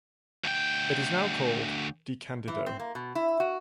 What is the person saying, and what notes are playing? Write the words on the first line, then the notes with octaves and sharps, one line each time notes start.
It is now called "De Candido".
D2 G5
E3
C4
A#3
B2
E4
F#4